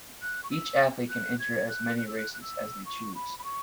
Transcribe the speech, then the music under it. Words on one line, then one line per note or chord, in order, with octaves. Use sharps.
Each athlete can enter as many races as they choose.
F#6
C#6
E6
F#6
G#6
F#6
F#6
E6
F#6
F#6
E6
C#6
B5
B5
C#6